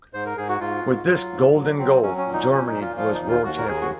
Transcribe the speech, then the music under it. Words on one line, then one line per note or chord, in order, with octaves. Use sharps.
With this Golden Goal Germany was world champion.
G#2 C5
A#4
G#2 G#4
F#4
G#2 F4
G#2
F#3
G#2
F#3
F#3 C4
F#3 C#4
C#4
A#2
D#4
A#2 C#4
D#4
A#2
F4
F3 F4
D#4
D#2
F4
D#2 F#4
A#4
D#2 G#4
F#4